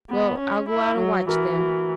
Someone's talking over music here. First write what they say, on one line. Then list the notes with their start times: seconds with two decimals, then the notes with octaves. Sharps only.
Well, I'll go out and watch them.
0.10 B3
0.39 C#4
0.69 E4
0.98 F#3
1.28 E3 F#4 A#4
1.57 F#4